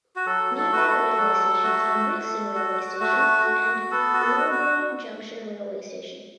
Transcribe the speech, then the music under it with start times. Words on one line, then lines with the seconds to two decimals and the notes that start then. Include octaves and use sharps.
Nearby railway stations are Brixton railway station and Loughborough Junction railway station.
0.16 F#4
0.26 F#3 A4
0.57 A4
0.72 A3 F#4 B4
0.87 A4
1.18 F#3
1.63 A3 F#4
2.09 A3
2.55 F#4
3.00 A3 F#4
3.46 F#4
3.91 B3 A4
4.14 F#4
4.21 A4
4.37 F#4
4.52 F#4